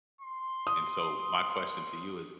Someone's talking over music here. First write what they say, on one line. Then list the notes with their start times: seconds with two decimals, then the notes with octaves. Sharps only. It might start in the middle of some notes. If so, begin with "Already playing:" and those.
And so, my question to you is,
0.21 C6
0.67 D#6